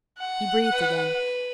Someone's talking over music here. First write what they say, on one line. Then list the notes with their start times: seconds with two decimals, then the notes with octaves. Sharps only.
He breathed again.
0.19 F#5
0.72 B4